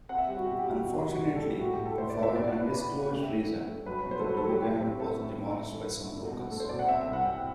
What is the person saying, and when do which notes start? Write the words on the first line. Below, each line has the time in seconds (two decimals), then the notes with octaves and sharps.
Unfortunately, for an undisclosed reason, the torogan was demolished by some locals.
0.09 C4 F#5
0.18 E5
0.27 G3 G4
0.37 F#4
0.47 B2 G4
0.59 G4
0.65 G3 F#4
0.72 G4
0.84 B2 F#4
0.96 G4
1.03 C2
1.09 F#4
1.22 C2 G4
1.36 A4
1.41 G3
1.48 G4
1.60 A2 F#4
1.73 G4
1.79 A2
1.85 A4
1.97 A2 C5
2.10 D5
2.17 A2
2.23 E5
2.35 B2 D5
2.47 D5
2.55 D4
2.60 B4
2.73 D4 B4
2.85 G4
2.91 D4
3.11 A3 G4
3.23 E5
3.29 A3
3.36 A4
3.49 G2
3.68 A3
3.86 F#3 B4
3.99 B4
4.05 B2
4.11 C5
4.19 A4
4.24 F#3 B4
4.37 A4
4.43 F#3
4.49 G4
4.62 A2 G4
4.81 C4 G4
4.99 C4 A4
5.19 A2
5.37 A3
5.56 G2
5.75 E3 A4
5.93 G2
6.13 D4
6.32 B2
6.51 A3 A4
6.60 C5
6.69 B2 D5
6.79 F#5
6.88 C4 E5
7.01 E5
7.08 C2
7.13 F#5
7.26 C4 G5